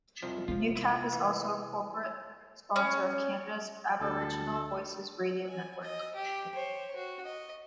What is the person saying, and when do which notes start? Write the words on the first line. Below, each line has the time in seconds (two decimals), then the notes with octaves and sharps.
Newcap is also a corporate sponsor of Canada's Aboriginal Voices radio network.
0.23 C2 F2 F3
0.48 C3 F3 G#3 F4
0.75 E4 F4
1.13 E3
2.76 C#4
4.00 D2 A4
5.48 G#5
5.82 D#5
6.15 G4
6.54 C5 C#5
6.95 F#4
7.25 D#5